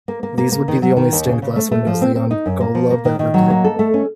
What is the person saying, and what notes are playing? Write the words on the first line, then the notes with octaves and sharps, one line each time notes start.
These would be the only stained glass windows Leon Golub ever did.
A#3
A#3
A#3
A#3
D#3
F#3
D#3
D#2
C#3
C#3
A3
A3
F3
C4
C4
D#4
F#2
A#3
F3
A#3
D#3
D#3
F#3
A#3
A4
A3
C#4